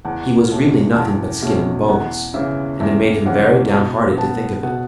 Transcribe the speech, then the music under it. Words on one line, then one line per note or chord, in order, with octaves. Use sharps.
He was really nothing but skin and bones, and it made him very downhearted to think of it.
E2 F#5
B2 A3 C#4
E2 A5
B2 A3 C#4
E2 F#5
C#3 E3 E5
E2 E5
C#3 E3 F#5
B2 A5
B3 A5
B2 F#5